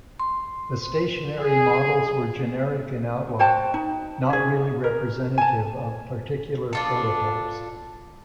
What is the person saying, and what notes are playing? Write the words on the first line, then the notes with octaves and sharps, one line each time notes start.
The stationary models were generic in outline, not really representative of particular prototypes.
C6
G#4
F#4 C5 G5 A5
D#4
C#4 G#4
A#4
G#5 A5
D4 F4 A4